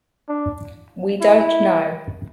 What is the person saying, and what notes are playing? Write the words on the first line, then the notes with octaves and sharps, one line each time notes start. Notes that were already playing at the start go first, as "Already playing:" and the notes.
We don't know.
D4
E4